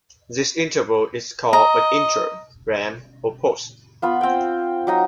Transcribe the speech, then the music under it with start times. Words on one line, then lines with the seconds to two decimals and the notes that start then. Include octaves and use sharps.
This interval is called an intro, ramp, or post.
1.53 D#5 A#5
4.02 B3 F4 B5
4.21 C4 G5
4.87 F#3 D#4 A#5